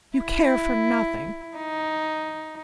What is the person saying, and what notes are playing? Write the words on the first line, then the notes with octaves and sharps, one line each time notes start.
You care for nothing.
E4
D#4